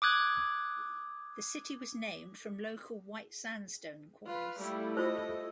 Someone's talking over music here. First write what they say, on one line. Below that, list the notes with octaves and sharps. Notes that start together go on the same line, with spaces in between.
The city was named from local white sandstone quarries.
D6 D#6 F#6 G#6
F4 B4
G3 A3 E4 A4
F4 C5 D#5